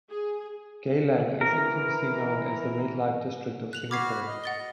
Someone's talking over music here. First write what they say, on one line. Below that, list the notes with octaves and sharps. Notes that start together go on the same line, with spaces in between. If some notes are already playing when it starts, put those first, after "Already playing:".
Geylang is infamously known as the red-light district of Singapore.
G#4
E3 A#4
F#6 F7 F#7
F#4 B5 D6 F6 G#6 C7
D#5
F#5 A6 G7